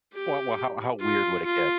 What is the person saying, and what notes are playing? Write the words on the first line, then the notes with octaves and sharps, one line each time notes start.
Well well, how how weird would it get?
G4
F4
F4